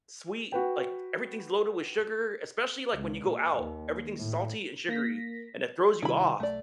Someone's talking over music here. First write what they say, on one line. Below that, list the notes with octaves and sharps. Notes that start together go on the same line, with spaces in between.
sweet, like, everything's loaded with sugar, especially, like, when you go out. Everything's salty and sugary, and it throws you off.
F#4 B4 G5
C#2
A#2
D#2
A2
A#3 A#6 B6
C3 D#3 G3 E4 B5
B1 A3 D5